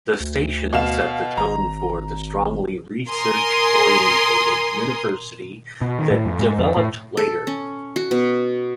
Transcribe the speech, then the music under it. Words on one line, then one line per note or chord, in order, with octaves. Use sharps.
The station set the tone for the strongly research-oriented university that developed later.
D2
B2 F5 E7
G#1 A#5
A#4 G#5 C6 D#6
B2
D#3
A2
F2
G#2
F2
A2
A4
C#4
F#4
B2